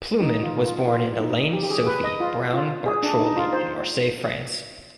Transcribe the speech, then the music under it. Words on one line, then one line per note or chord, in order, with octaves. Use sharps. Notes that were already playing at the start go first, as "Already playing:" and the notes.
Plewman was born Eliane Sophie Browne-Bartroli in Marseilles, France.
D#4
F4
F4
F4
D#4
G4
G4
G#4
B4
D#5
F4
F4
G#4
D4
D#4
F4
C5